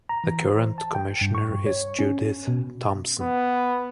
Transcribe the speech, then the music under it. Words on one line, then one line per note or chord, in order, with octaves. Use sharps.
The current commissioner is Judith Thompson.
A#5
E3
C5
A5
G5
G2
C#6
G2
C#5
C#4
B2
B3